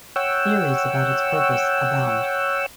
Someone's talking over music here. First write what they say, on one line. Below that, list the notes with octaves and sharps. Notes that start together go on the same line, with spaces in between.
Theories about its purpose abound.
C#5 F#5 G5 E6